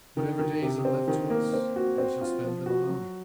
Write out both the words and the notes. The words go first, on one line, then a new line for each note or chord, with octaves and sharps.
Whatever days are left to us, we shall spend them alone.
D#3
D#3
C3
C4
D#3
A#3
C4
F#4
C4
F4
F3
F#4
F#3